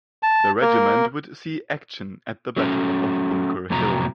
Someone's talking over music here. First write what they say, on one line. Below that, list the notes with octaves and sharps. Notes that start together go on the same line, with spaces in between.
The regiment would see action at the Battle of Bunker Hill.
A5
A#3 A#4
F#3 A3 C#4
F2 A2 C3 F#3 A#5